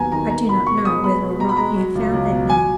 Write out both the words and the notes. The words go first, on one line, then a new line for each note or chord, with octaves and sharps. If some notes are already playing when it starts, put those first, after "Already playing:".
I do not know whether or not you have found that man.
Already playing: D#2 F#3 B3 G#5 A#5
D#3 A#5
B3 A#5
B2 B5
B2 C#6
G#3 D#6
B3 B5
B2
B2 A#5
B5
G#3 A#5
F#3
C#2
C#2
B2
F#3 G#5